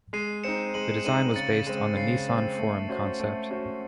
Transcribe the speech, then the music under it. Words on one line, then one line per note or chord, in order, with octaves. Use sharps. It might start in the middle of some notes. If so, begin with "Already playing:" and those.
The design was based on the Nissan Forum concept.
G#3 C7 D#7
C4 D#4 C#7 E7
G#3 D#7 F#7
C4 D#4 D#7 F#7
C#3 A6 C#7
G#3 C4
C#3 C7
G#3 C4
A3
C#4 F#4 C5
A3
C#4 F#4 C5